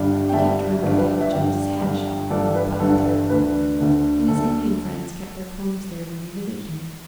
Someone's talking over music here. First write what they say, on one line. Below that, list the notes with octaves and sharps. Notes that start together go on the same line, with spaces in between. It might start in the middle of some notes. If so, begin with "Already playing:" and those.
He kept her under David Jones's hat shop in the "Buck" tavern yard, and his Indian friends kept their ponies there when they visited him.
Already playing: G1 G2 G3 D4
G5
G1 G2 G3 D4 E5 A5
G1 G2 G3 D4
B4
D5
E5
G1 G2 D3 D5 G5
G1 G2 D3
G1 G2 D3 A4 D5
B4
G1 G2 D3 A4
A4
B4
D2 D3 A3 D4 B4
D2 D3 A3 D4
D2 D3 A3 D4 A4